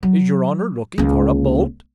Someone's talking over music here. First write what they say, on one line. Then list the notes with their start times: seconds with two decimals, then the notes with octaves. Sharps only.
"Is your honour looking for a boat?"
0.03 F#3
0.98 C#2 A#3